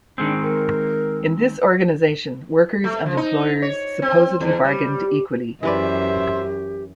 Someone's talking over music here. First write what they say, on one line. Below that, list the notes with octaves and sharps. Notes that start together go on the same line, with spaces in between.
In this organisation, workers and employers supposedly bargained equally.
D#3 G#3 C4 D4
A#4
A3
F3
D#4
C#5
C4
E2
G3
F#2 E3 G4 B4 C5 D5 E5